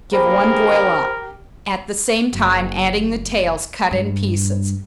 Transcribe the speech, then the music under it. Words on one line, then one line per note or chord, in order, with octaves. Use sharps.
Give one boil up, at the same time adding the tails cut in pieces.
G2 A#3 G4 G#4 A#4 C5 B5 A#6
F#1
G2